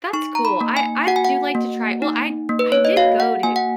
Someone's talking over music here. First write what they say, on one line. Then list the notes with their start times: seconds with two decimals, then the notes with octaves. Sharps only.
That's cool, I I've do like to try well, I I did go to
0.13 D#4 C#6
0.35 A#5
0.45 B5
0.61 A#3
0.77 G#5
1.07 F#4 F#5
1.16 G#5
1.25 F#5
1.55 A#3
2.02 D#4
2.49 A#3
2.59 B4
2.72 C#5
2.85 D#5
2.96 F#4 F5
3.20 F#5
3.43 A#3 G#5
3.56 F#5